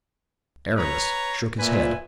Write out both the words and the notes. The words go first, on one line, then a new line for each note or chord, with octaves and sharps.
Aramis shook his head.
B4 C#5 A#5
A#2 B4 E5 G#5